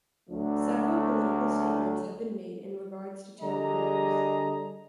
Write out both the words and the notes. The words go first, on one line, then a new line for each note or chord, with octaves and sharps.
Several political statements have been made in regards to tampon use.
D2 F#3 A3 D4
D3 G3 D4 G#4 D#5 A#5